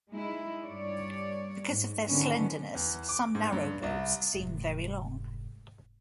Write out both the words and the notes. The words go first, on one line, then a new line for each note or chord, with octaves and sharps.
Because of their slenderness, some narrowboats seem very long.
G#3 D#4 E4
G2 C#5 D5
G#2
D3 D#3 F#3 B3 C#4
E2
D6
G#2
G2
C2
F1 G#2